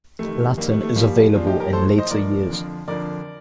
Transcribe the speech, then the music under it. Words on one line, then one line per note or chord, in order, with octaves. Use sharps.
Latin is available in later years.
F2 C3 D#3 A3
F2 C3 D#3 G3 A#3
A3
A3
A#2 F3 G3 A#3
A#2 F3 D4 F4
D#4 G4
G4 A#4
A2 F3 A4 C5
C5 D#5
A2 F3 A#4 D5
F2 D3 F3
F2 D3 F3 A#4 D5